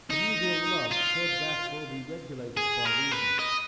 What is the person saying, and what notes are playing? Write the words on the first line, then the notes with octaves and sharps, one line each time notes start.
Connubial love should, therefore, be regulated by reason.
D#4
F4
G#4
A#4
B4
D#5